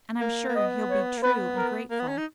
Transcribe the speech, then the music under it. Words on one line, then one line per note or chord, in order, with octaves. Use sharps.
"And I'm sure he'll be true and grateful."
A#3
A#3
B3 D#5
C#5
A#3
B3 B4
A#4
A#3
B3
C#4
D#4